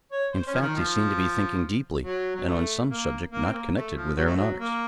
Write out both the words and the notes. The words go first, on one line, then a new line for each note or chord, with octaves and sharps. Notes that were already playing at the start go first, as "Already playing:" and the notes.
In fact he seemed to be thinking deeply, and on some subject not connected with aeronautics.
C#5
C5
C#4
F3
D#3
F3
F#3
F#3
A3
A#3
A#3
C4
A#3
A3
F3
F#3
A3
F#3
A#3